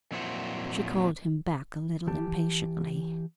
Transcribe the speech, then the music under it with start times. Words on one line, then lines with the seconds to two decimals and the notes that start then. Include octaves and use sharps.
She called him back a little impatiently.
0.12 F2 A#2 F#3 E4 C5 F#5
2.07 E3 G4 A5